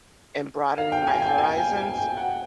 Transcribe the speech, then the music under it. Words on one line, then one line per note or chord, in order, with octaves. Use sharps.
and broadening my horizons,
F5
G5
G#5
G5
G#5
G5
G#5
G5
F#5